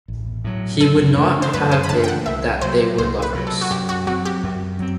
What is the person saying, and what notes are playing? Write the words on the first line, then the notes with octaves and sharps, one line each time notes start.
He would not have it that they were lovers.
A1
A2 F#3
F#2 A4
E3 A3 D4
C5
F#2 B4
C5
B5
E3 A3 D4 A5
G5
F#5
C2 E5
C3 F#3 C5
C2 C5
B4
C3 F#3
A4
F#4
F#2 G4
F#4
F#3 C4 F#4
G4
F#2
F#3 C4